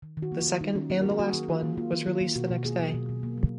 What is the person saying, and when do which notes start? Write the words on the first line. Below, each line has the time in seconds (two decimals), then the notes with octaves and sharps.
The second and the last one was released the next day.
0.02 D#3
0.17 D#3
0.22 F#4
0.32 A#3
0.42 F#3 F4
0.61 D#3 D#4
0.75 D#3 C#4
0.90 A#3 F#4
1.02 F#3 A#4
1.11 G#4
1.19 A#3 F#4
1.34 D#3
1.48 D#3 F4
1.63 A#3
1.77 A#3 F4
1.93 D#3
2.07 D#3 F4
2.21 A#3
2.35 B2 F#4
2.50 B2
2.65 A#3 G#4
2.79 F#3
2.94 B2
3.09 B2
3.23 A#3
3.38 F#3